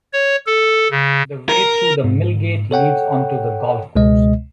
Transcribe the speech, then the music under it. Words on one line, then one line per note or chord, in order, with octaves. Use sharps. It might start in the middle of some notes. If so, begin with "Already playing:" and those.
The way through the mill gate leads onto the golf course.
C#5
A4
C#3
A#4
G#2
A4 C#5 F#5 G5
C#2 B2 G#3 D#5